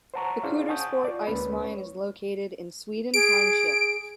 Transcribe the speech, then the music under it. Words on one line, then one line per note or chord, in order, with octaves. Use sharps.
The Coudersport Ice Mine is located in Sweden Township.
C5 C#5 F#5 A5 A#5 C#6
C#4 E4 G#4 C5 D5 F5
F#5 G#5 A5 C#6 D#6 G6
F4 D5
D2 G#3 A#3 C#4 B4 B5
C#5
G#4 D7